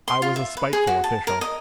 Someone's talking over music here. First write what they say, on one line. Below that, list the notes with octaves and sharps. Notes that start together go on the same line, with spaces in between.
I was a spiteful official.
C6
F4
E5
B4
G#4
F#4
A5
A#4
D#5